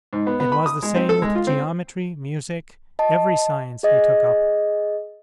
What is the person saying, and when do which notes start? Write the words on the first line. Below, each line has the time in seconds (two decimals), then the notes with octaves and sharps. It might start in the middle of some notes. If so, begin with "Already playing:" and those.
It was the same with geometry, music, every science he took up.
0.13 G#2
0.27 B3
0.40 B3
0.52 B5
0.66 D#6
0.82 G#3
0.95 C4
1.09 A4
1.22 G#3
1.35 F4
1.47 C4
2.99 D#5 A5
3.83 G#4 D#5